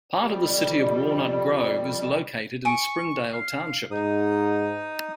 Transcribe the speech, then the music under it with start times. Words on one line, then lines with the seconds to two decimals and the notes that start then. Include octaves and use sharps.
Part of the city of Walnut Grove is located in Springdale Township.
0.21 F2 G3
2.65 G#5 C#6 D7
3.33 F5
3.91 G#2 D#4 D#6